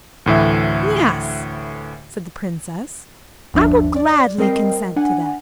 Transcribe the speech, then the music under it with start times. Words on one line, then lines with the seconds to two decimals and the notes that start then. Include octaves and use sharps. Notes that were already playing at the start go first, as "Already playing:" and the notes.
"Yes," said the Princess, "I will gladly consent to that."
0.26 D2 A2 E3 E5
3.54 G1 D#2 F3 D4 E5
3.96 D5
4.38 G3 C4 A#4 D#5 G5 C7
4.96 D4 F#5 G#5